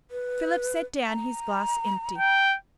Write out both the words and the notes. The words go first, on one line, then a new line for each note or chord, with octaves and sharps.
Philip set down his glass empty.
B4
A#5
G5